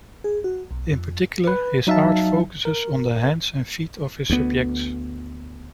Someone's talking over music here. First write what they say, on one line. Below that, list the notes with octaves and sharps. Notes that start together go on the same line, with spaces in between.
In particular, his art focuses on the hands and feet of his subjects.
G#4
F#4
B1
F2
B4
F#3 D#4 E5 F5 A5
A#4
D2 B3